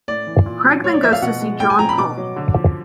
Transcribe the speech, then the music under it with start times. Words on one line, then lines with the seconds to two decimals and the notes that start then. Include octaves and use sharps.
Craig then goes to see John Paul.
0.08 A2 D5
0.27 E3
0.46 A#2
0.65 F#3
0.84 A2 C#5
0.94 D5
1.03 F3 E5
1.13 F5
1.22 B2 F#5
1.41 G#3
1.60 A2 G5
1.70 G#5
1.79 F3 A#5
1.89 B5
1.98 B2 D6
2.17 F#3
2.36 D3
2.55 F3